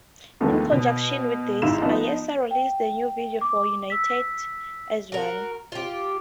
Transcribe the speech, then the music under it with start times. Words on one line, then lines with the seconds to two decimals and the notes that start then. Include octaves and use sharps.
In conjunction with this, Ayesa released the new video for 'United As One'.
0.40 D#2 F3 G#3 A3 B3 D4
0.72 B2
1.62 G#1 G#2 E4 G4 F5 E7
1.82 F3 B3 D#4
2.51 G5
3.41 D6
3.90 E6 B6
5.12 F#4 A#4
5.72 F4 G4